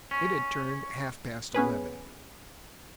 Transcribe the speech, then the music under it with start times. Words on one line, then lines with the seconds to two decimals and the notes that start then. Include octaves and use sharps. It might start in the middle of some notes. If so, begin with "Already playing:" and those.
It had turned half-past eleven.
0.11 C#4
1.54 B3 C#4 G#4 B4